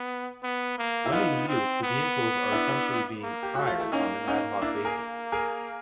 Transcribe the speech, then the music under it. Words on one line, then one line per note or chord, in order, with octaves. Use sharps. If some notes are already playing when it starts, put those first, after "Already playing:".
When in use, the vehicles are essentially being "hired on an ad hoc basis".
Already playing: B3
B3
A#3
E4
B3 D#4 F4
C4
B3
D4 E4
A#3
G4
A3 F#4
F4
E4
A#3 C#4 D#4
C#4 D#4
D4 E4
G#4 A#4
G#4 A#4